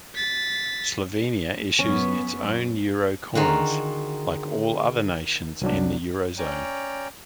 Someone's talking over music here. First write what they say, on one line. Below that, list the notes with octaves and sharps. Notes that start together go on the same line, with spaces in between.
Slovenia issues its own euro coins, like all other nations in the Eurozone.
A6 B6
F#2 B3 C#4
D3 D#3 F4 F#4 G#4 C6
C2 F#3 D4
C#4 C#5 D5 G5 A#5